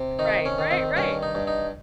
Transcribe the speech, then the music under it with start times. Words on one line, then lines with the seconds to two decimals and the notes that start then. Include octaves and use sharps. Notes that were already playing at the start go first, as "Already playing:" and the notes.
Right, right, right,
Already playing: C3
0.19 D#3 D#4
0.45 C#4
0.58 D#3
0.71 C4
0.97 G2 C#4
1.23 D#4
1.35 G2
1.47 D#4